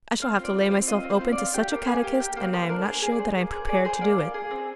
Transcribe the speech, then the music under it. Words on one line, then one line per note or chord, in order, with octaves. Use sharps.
I shall have to lay myself open to such a catechist, and I am not sure that I am prepared to do it.'
C4 F5
F4
D5
C4
C5
C4
F4 D#5
C4
C5
F4
D5
F4
G4 G5
A#3
A#3 G#5
G4
G4 G5
A#3 C5
A#3 C5
D4 A#4
G#4 C5
G#4
D5
G#4 C5
A#3
G#4 C5
G#4 D5
G#4 C5
A#3 D5
F4
G#4
C4